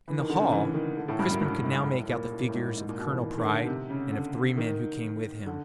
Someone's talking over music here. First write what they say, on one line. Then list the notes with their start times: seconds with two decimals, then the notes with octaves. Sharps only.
In the hall Crispin could now make out the figures of Colonel Pride and of three men who came with him.
0.08 E3
0.19 D#3
0.29 D3
0.41 C#3
0.52 E3
0.74 D#3
0.97 D3
1.08 A2
1.19 G2
1.31 F#2
1.41 G2
1.65 G#2
1.87 A2
2.09 A#2
2.32 A2
2.49 A2
2.54 G#2
2.77 G#2
2.89 A#2
2.99 B2
3.11 E3
3.22 D#3
3.38 D#3
3.44 D3
3.67 C3
3.90 C#3
4.11 D3
4.57 D#3
5.46 D3